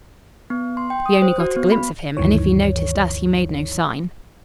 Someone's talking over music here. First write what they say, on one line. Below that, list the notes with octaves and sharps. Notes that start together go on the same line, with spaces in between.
We only got a glimpse of him, and if he noticed us he made no sign.
B3
C6
G5
D#6
C5
F#4
B3
B5
D2 G2 D#3 E3 C#5